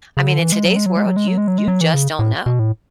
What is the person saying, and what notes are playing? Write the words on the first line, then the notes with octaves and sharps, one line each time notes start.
I mean, in today's world, you you just don't know.
C#3
D3
E3
G#3
F#3
G#3
F#3
G#3
F#3
G#3
F#3
G#3
F#3
G#3
F#3
E3
C#3
A2
B2
A2